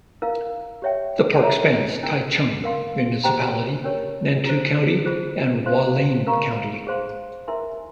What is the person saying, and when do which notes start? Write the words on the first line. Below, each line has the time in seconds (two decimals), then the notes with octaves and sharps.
The park spans Taichung Municipality, Nantou County, and Hualien County.
0.22 E4 A#4 F5
0.82 G4 C#5 E5 G5
1.43 A#4 C#5 E5 A#5
2.03 C#4 E4 A#4
2.64 A#4 F5 C6
3.24 G4 C5 G5 A#5
3.84 C#4 G4 A#4 C#5
4.46 E4 G4 C5
5.06 F4 G#4 C5
5.66 C5 F5 C6
6.27 A#4 F5 A#5 C#6
6.87 G#4 C5 F5 C6
7.48 E4 A#4 E5 G#5 C6